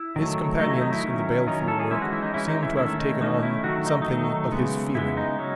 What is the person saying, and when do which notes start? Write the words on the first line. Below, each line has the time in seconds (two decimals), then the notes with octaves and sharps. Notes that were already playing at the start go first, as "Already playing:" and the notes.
His companions in the baleful work seemed to have taken on something of his feeling.
Already playing: E4
0.16 D#3 F#3 A3
0.60 D#3 F#3 A3 D#4
0.71 E4
0.81 D#4
0.92 E4
1.03 D#3 F#3 C#4
1.47 D#3 F#3 C#4 D#4
1.68 A4
1.80 G#4
1.90 E3 G#3 C#4 E4
2.02 F#4
2.13 E4
2.22 D#4
2.34 E3 G#3 C#4 E4
2.48 D#4
2.63 E4
2.77 D#3 A3 C#4 E4
2.99 D#4
3.20 D#3 A3 C#4 D#4
3.43 E4
3.64 D#3 F#3 A3 F#4
3.86 D#4
4.02 D#4
4.08 D#3 F#3 A3
4.51 C#3 G#3 B3
4.95 C#3 G#3 B3 E4
5.17 D#4
5.39 F#3 C#4